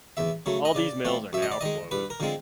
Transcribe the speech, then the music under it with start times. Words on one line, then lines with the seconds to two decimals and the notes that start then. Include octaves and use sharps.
All these mills are now closed.
0.17 E2 E5
0.46 C#3 F#3 A3
0.65 D#5
0.75 C#3 D5
1.05 F3 A3 C4
1.33 F#2 E5
1.42 D#5
1.52 D5
1.61 D#3 G#3 D#5
1.91 G2 B4
2.10 A#4
2.20 D3 F3 G#3 C4